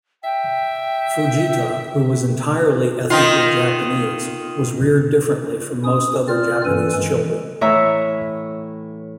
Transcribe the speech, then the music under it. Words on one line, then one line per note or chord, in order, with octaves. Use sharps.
Fujita, who was entirely ethnically Japanese, was reared differently from most other Japanese children.
E5 G5
D#3 D#4 F4
C#4 D#6
C4 F4 D5 F6
G2 E3 C#4 A4 B4 G#5
D#3 E3 G#3
A2 E3 C#5 E5 A#5